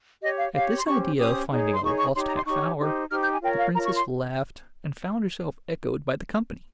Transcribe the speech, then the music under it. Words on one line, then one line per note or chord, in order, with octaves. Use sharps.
At this idea of finding a lost half-hour, the Princess laughed, and found herself echoed by the company.
G4 C#5 D#5
F5
G4 C#5 F5
C6
C#4 G4 C5 C#6
C#4 G4 C5 D#6
D#4 G#4 C#5
C6
D#4 G#4 C#5 C#6
C#6
D#4 G4 C#5 C6
A#5
C6
D#4 G4 C#5 C#6
D#4 G4 C5
D#4 G4 C5 F6
G6
G#5
F4 A#4 C#5 G5
F5
F4 A#4 C#5 A#5
C#6
C6